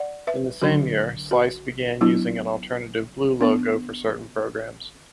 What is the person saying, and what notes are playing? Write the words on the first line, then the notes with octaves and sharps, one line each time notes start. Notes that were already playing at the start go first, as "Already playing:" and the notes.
In the same year, Slice began using an alternative blue logo for certain programs.
Already playing: D5 F#5
B4 E5
D3 F#3 D4 F#4
F#4
F#3 B3 D4 E4
B3 D4